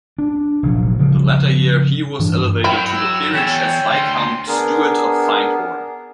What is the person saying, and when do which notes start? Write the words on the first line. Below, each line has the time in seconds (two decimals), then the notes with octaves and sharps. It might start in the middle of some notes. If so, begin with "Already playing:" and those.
The latter year he was elevated to the peerage as Viscount Stuart of Findhorn.
0.19 D4
0.63 F1 A#1 F3 F#3
0.99 C#3 F3 G3
2.19 G2 E3 D4
2.64 F#3 E4 G5
2.92 E6
3.34 E2 C#5 G5
3.90 D2 C6
4.48 B3 D4 G#4 A#4